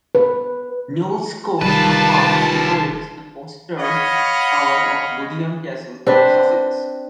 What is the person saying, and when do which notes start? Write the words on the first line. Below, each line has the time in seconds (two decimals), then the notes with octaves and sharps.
Knolles' coat of arms decorates the postern tower of Bodiam Castle, Sussex.
0.15 B4
1.61 F1 D#3 G3 F4 B4 A5
3.78 C#5 D#5 F5 F#5 B5
6.07 C4 D4 B4